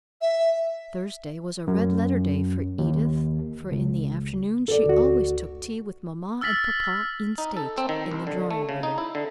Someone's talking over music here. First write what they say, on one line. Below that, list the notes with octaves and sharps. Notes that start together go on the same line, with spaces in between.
Thursday was a red-letter day for Edith, for in the afternoon she always took tea with mamma and papa in state, in the drawing-room.
E5
F#2
D#2
C#2
A4 D5
D2 F#4
E6 F6 A6 B6 F#7
D#4
A4
C4
D#3
C2
D3
A3
C#3
D#4
E4
D3